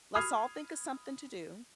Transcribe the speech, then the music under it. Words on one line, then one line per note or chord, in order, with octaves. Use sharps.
let's all think of something to do,
B5 D#6 F6 G#6 C7 F7